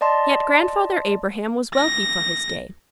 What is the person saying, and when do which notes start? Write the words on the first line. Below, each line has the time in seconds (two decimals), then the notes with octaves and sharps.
Yet Grandfather Abraham was wealthy for his day.
0.01 D5 D#5 A5 C6
1.75 A#6